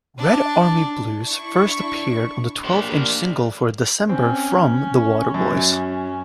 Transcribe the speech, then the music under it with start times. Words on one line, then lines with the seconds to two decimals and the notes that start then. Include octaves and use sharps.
"Red Army Blues" first appeared on the twelve-inch single for "December" from "The Waterboys".
0.18 D4 A5
1.21 D4 E4 C#6
2.64 A#3 D4 G4 C5 B5
4.09 C4 C#4
5.34 F#2